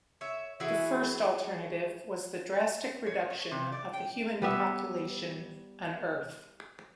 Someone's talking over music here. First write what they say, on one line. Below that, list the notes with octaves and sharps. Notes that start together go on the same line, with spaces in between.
The first alternative was the drastic reduction of the human population on Earth.
C#5 E5
E3 E4 F#4 G#4
C#5
C#5
C3
D5
G5
G3 B3 E5